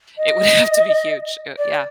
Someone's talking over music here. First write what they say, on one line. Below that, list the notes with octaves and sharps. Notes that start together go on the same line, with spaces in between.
It would have to be huge, uh, yeah.
D#5
D5